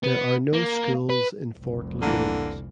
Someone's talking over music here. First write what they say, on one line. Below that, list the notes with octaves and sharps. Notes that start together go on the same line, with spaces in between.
There are no schools in Fork Lagoons.
B3
A#3
B4
F1 C2
D3 E3 A#3